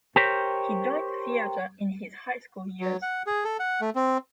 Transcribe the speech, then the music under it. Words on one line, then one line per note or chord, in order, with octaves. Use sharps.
He joined theater in his high school years.
G4 A#4 C5 C#5
F#3
F#5
G#4
A4
F#5
A3
C4